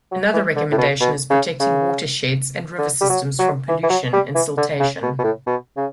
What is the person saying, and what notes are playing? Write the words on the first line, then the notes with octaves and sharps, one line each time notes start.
Another recommendation is protecting watersheds and river systems from pollution and siltation.
F#3
E3
D3
A2
B2
B2
C#3
C#3
D3
G3
F#3
F#3
E3
E3
F#3
G3
E3
D3
C#3
B2
B2
A2
B2
C#3